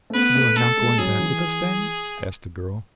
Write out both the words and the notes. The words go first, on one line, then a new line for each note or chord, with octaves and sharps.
"You are not going back with us, then?" asked the girl.
A3
B3 B4
A3
A3 A4
G#3
F#3 G#4
E3